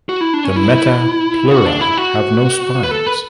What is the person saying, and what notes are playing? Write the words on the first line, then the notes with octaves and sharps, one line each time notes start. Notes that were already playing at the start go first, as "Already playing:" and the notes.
The meta pleura have no spines.
F#4
E4
D4
C#4
E4
F#4
D4
E4
F#4
B4
A4
B4